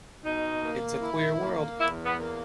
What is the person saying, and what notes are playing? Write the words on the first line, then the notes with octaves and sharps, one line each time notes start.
It’s a queer world.
B2 D#4
A#3
E4
A#3
E2 E4
B3
A#3